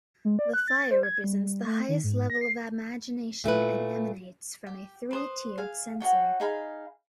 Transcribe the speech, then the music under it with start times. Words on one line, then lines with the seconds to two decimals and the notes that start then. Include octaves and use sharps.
The fire represents the highest level of imagination and emanates from a three-tiered censer.
0.25 G#3
0.39 D5
0.54 F#6
0.68 A6
0.91 C5
1.03 G#6
1.24 G3
1.66 A3
1.89 D#3
2.04 G#2
2.30 A#6
2.41 C7
3.44 A#2 A3 E4 B4
4.67 G4
5.11 B4 C5 D#6
5.58 G#4 F5
6.00 F#4 G#4 C#5 G5
6.40 D#4 G#4 F5 B5